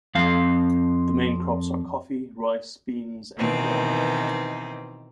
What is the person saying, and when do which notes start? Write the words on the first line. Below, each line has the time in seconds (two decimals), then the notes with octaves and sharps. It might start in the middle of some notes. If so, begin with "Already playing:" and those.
The main crops are coffee, rice, beans, and corn.
0.15 F2 C4 F5
3.38 B2 D#3 E3 C4 D#4